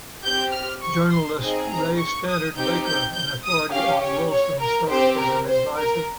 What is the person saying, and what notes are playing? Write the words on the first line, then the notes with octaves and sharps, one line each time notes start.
Journalist Ray Stannard Baker, an authority on Wilson served as an adviser.
C4 G4 G6
F6
C#6
C6
C4 D#4 G#4 D#5
A#5
C#6
D#6
C4 D#4 G4 G6
G6
G6
D#6
C#4 G4 F5
C#5
C#5
A#4
C4 G4 C5
A#4
C5
A#4